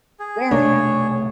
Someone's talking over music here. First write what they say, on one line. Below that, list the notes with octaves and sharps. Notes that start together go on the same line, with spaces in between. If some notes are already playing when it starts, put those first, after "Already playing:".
Yeah, yeah.
G#4
B1 C3 A3 D4 C#5